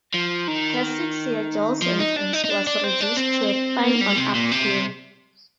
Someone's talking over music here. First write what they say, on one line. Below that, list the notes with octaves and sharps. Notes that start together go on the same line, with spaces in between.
Her six-year jail sentence was reduced to a fine on appeal.
F3
D#3
F3
D#4
D4
D#4
D#4
D4
D4
C4
D4
C4
A#3
G3
C3
A#2
C3